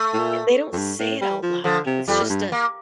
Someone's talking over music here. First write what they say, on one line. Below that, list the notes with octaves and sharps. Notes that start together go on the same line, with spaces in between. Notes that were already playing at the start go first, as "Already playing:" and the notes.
Yeah, they don't say it out loud, it's just a
Already playing: A3
A2
A#2
F2
G2
A2
G3
F3
D3 F3
C3
F2 G3
A2
G2
A#3